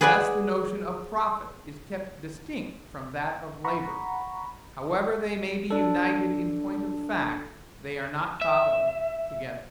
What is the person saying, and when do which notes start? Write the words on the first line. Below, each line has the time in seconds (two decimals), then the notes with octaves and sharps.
Thus the notion of profit is kept distinct from that of labor; however they may be united in point of fact, they are not thought of together.
0.01 G#4 B4 D5 F#5 G#5
3.64 F#5 A#5 B5 C#6
5.71 D4 A4
8.41 E5